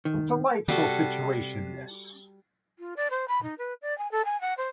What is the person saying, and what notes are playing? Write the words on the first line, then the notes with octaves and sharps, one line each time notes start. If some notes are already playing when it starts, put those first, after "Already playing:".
Delightful situation this.
D#3
C3 G3 F#4 A4
F4
D5
C5
B5
D#4
B4
D5
G#5
A4
G#5
F#5
C5